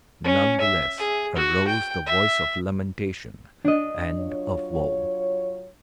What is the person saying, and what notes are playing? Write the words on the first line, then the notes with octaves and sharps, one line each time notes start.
None the less arose the voice of lamentation and of woe.
C#4
E5
G#4
F#4
G5
E5
D4 D#5
F#3 F4 C#5